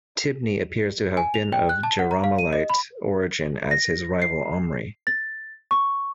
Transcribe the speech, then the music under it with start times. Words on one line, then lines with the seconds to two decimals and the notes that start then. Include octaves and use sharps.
Tibni appears to have been of Jerahmeelite origin as his rival Omri.
1.17 G#5
1.34 F7
1.53 G5
1.69 F#6
1.83 A5
1.99 F#5
2.11 A#5
2.24 F5
2.38 D#7
2.53 D#5
2.70 B5
3.71 A#6
4.22 C7
5.07 A6
5.71 C#6